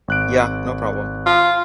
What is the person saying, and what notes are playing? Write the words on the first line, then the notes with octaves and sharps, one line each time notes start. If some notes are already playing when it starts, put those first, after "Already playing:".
Ya! No problem.
G#1 F#6 D7
F4